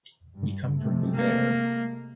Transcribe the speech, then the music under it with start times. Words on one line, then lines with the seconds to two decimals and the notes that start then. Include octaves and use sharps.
We come from Búger.
0.35 G2
0.78 C3 G#3 A3
1.16 A#3